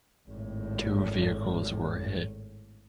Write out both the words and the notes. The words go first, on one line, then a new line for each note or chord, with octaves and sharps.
Two vehicles were hit.
G#1 A2